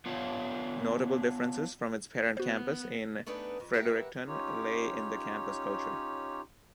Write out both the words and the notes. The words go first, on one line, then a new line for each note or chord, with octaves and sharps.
Notable differences from its parent campus in Fredericton lay in the campus culture.
B3 D4 F4 C#5 F5
B3 F#4 C5
A3 B3 D4 D#4 G#4 B4
F2
G4 A#4 B4 D5 E5 F#5
C#4 D#4 F4 G4 C#5